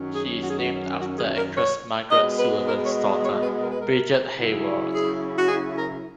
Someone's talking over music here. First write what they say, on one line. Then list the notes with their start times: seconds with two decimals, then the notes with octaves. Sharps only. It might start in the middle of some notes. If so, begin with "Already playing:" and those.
She is named after actress Margaret Sullavan's daughter Bridget Hayward.
Already playing: F#2 D#3 F#3 C#4
0.16 G#4
0.43 F#4
0.50 G#4
0.58 F#4
1.00 F#4
1.18 G#4
1.37 A#4
1.56 C#5
2.11 B2 G#3 B3 D#5
2.40 B4
2.67 A#4
2.86 C#5
3.23 C#5
3.43 B4
3.61 A#4
3.71 B4
3.80 A#4
4.37 C#3 F#3 C#4 E4
4.93 G#4
5.38 F#4
5.48 G#4
5.77 A#4